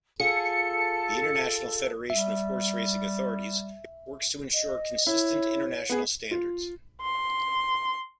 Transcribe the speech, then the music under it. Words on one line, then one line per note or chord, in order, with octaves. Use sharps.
The International Federation of Horseracing Authorities works to ensure consistent international standards.
F4 G#4 A4 C#7
G3 E5
D#5
E4 C#5
B3 G#4
F4
C6